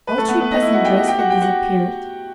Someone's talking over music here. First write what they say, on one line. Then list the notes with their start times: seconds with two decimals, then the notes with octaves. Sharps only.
All three passengers had disappeared.
0.07 B4
0.18 A3 A4
0.28 B3 B4
0.41 B3 B4
0.51 D#4 D#5
0.62 E4 E5
0.74 F#4 F#5
0.85 G4 G5
0.96 F#4 F#5
1.07 G4 G5
1.18 F#4 F#5
1.30 G4 G5
1.41 F#4 F#5